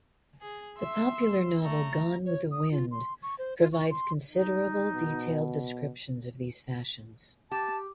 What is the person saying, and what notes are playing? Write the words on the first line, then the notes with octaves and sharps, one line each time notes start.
The popular novel "Gone with the Wind" provides considerable, detailed descriptions of these fashions.
G#4
E5 C6 E6
A3 A#5
C#5
D#6
F4
C6
C#6
C5
F4
C#6
C6
D#4
B2
G4 A5